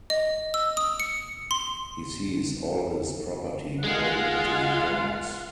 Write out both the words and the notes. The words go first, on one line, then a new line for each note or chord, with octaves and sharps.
He sees all his property going to the dogs.
D#5
E6
D#6
C#7
C6
G#3 F4 F5 F#5